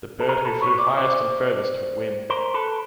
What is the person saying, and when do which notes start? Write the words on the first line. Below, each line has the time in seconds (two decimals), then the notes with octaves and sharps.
The bird who flew highest and furthest would win.
0.20 A4
0.29 G#4 A#4
0.45 A4 B4
0.62 B4 C#5
0.79 D5
0.88 D#5
0.97 C5 D5
2.30 A#4 C5
2.54 A4 B4